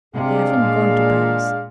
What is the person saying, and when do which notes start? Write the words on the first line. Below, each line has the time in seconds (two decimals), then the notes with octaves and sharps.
They haven't gone to Paris.
0.14 C3 G#3 D4 G#4 D5 F5
0.62 A#2